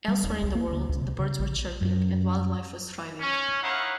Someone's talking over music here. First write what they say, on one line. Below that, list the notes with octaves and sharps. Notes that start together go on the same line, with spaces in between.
Elsewhere in the world, the birds were chirping and wildlife was thriving.
G3
D#1
C2
A#3
D2
C#2
C3
C#3
A#1
F#2
C#4
D#4 E4 A#4 C#5 F5 F#5